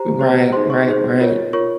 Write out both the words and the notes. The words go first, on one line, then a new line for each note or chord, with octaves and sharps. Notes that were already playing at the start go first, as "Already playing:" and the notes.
Right, right, right.
Already playing: G4 C5 A#5
G4 C5
D#4 G#4 C5 C6
C#6
D#4 G#4 C5
F4 A#4 C#5
F4 A#4 C#5 C#6